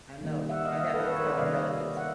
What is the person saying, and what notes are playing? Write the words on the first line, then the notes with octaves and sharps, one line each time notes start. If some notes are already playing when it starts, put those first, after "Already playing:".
I know. I got those kind of relatives
D#3 G3 A#3
E5 F#5
D#5 F5
D#5 F5
A4 B4
B4 C#5
A#4 C5
D5 E5
C3 D#3 G3 A#3 D#5 F5
E5 F#5